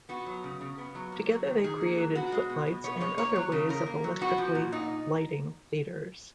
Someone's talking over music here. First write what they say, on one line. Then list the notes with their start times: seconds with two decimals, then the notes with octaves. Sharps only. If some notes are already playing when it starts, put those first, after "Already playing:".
Together they created footlights and other ways of electrically lighting theaters.
0.09 B3 F#4
0.26 F#3
0.44 C#3
0.61 C#3
0.78 B3
0.95 F#3
1.12 A#3
1.29 F#3
1.47 D#3
1.64 D#3 G#4
1.81 A#3
1.98 F#3
2.15 B3 F#4
2.32 G#3
2.49 B2
2.67 B2
2.84 B3 C#5
3.01 G#3 C#5
3.18 A#3 C#5
3.36 F#3
3.52 C#3
3.69 C#3 A#4
3.86 A#3
4.04 F#3
4.21 B3 F#4
4.38 F3
4.55 A#2
4.72 A#2 D#4